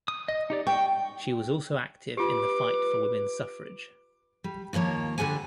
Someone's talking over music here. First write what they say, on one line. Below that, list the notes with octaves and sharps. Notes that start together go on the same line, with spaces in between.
She was also active in the fight for women's suffrage.
D#6
D#5
D#4 G4 D5
G5 C#6
F4 G4 B4 D6
G3
D#2 F3 A#3 C#5 A#5
D3 G3 G#4 F#5 G#5